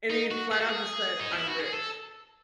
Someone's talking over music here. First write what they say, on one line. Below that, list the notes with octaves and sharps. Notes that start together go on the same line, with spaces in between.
and he flat out just said, "I'm rich."
D#4
F#4
G#4
F#4
G#4
D#4
E4
F#4
G#4
A4